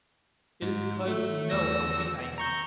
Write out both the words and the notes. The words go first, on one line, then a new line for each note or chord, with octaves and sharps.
It is because you know how weak I am!
G#2
A3
E2 E6 A#6
A#5 C#6 G6